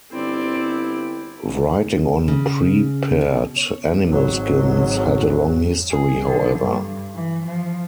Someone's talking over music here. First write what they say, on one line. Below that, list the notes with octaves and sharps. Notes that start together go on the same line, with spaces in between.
Writing on prepared animal skins had a long history, however.
G1 C4 E4 D5
C#3
B2
C#5
G#1 F#3
G#4
D3
G2
E3
F3